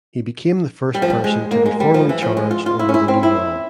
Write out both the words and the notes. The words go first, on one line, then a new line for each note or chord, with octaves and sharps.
He became the first person to be formally charged under the new law.
G3
F3
G3
G#3
A#3
G#3
G3
F3
E3
F3
G#3
F4
F4
E4
C#4
E4
C4
E4